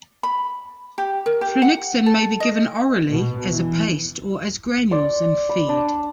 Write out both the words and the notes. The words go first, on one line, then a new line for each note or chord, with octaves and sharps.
Flunixin may be given orally as a paste or as granules in feed.
B5
G4
A#4
G4
F#5
A4
D#5
B2
E3
D5 C6
B5
D4